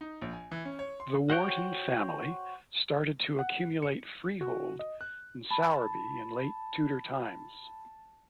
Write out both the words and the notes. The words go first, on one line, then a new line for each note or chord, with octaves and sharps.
The Wharton family started to accumulate freehold in Sowerby in late Tudor times.
D#4
A#1
G#5
E3
C#4
C#5
C6
F#4 C5 C#5 G5 F#6
F#5
C#7
F#4
D#5
F#6
A5 B5